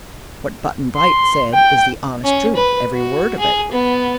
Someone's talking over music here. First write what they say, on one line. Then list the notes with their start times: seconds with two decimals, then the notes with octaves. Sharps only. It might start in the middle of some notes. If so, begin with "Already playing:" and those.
"What Button-Bright said is the honest truth--every word of it."
0.97 C6
1.54 G5
2.24 C#4
2.55 B4
2.93 F#4
3.39 G#4
3.71 B3